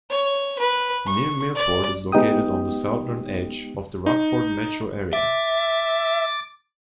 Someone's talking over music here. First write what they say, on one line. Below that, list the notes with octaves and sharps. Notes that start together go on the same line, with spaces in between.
New Milford is located on the southern edge of the Rockford metro area.
C#5
B4
C#6
D5
G#3 B3 D#4 G4 G5 D#6
D#4
E5 D6 A6